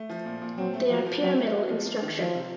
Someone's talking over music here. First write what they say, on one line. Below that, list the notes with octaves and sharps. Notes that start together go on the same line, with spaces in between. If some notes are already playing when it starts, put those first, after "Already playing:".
They are pyramidal in structure.
Already playing: A3
F3
A#2
A#2
F#3 C4
A3
F3 F#4
F3
F#3 C4
A3
F#4
F3
A#3
D#3
F3 F4
C3